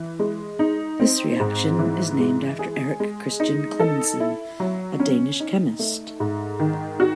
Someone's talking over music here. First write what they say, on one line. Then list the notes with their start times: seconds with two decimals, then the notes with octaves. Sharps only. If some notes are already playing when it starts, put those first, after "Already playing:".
This reaction is named after Erik Christian Clemmensen, a Danish chemist.
Already playing: E3
0.19 G#3
0.59 D#4
1.00 C4
1.40 G#2
1.79 E3
2.20 G#3
2.59 G#4
3.00 G#3
3.40 D#4
3.79 A4
4.20 E4
4.60 F#3
5.00 C#4
5.40 D#4
5.79 A3
6.20 G#2
6.59 D#3
7.00 F#4